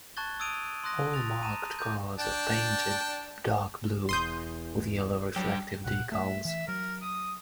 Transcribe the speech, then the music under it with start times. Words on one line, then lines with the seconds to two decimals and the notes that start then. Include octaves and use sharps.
All marked cars are painted dark blue with yellow reflective decals.
0.17 A5 C#6 F#6 G#6 A6 G7
0.40 D#6 E6 G#6 D7 D#7 F7
0.84 C6 D#6 F#6 A#6
1.14 A6 F7
1.43 A5 A#5 D#7
1.79 D6 G6
2.19 D4 G5 A5
4.09 E1 E2 C6 D#6 G6
5.36 G2 F#3 G4
5.85 C2 A#2 F#5
6.12 A3 E5
6.45 E3 E5
6.68 F#3 A#4
7.02 D#6